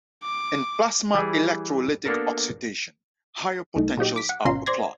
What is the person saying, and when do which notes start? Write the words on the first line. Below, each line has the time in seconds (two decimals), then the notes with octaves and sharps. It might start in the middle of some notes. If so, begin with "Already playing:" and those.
In plasma electrolytic oxidation, higher potentials are applied.
0.23 D6
1.14 E3 G3 E4 G#4
2.06 A#3 B3 D4 F#4 A4 A#4
3.75 C2 A3 D#4
3.97 A#2 F#3 D#4 G4
4.16 D6 B6
4.29 F#5
4.45 G#1 B2 C#4 F4 A#5 C6
4.66 C5 D5 C6 G#6 A#6